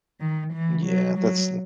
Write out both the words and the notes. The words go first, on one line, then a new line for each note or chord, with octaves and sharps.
Yeah, that's n
D#3
E3
F#3
F#3